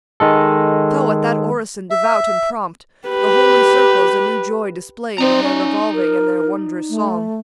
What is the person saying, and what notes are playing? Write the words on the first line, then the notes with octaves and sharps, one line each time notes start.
So, at that orison devout and prompt, The holy circles a new joy displayed In their revolving and their wondrous song.
D#3 G#3 A4
E5
G4 B4
C4 D#4 D5 A#5
C#4
A#4
A3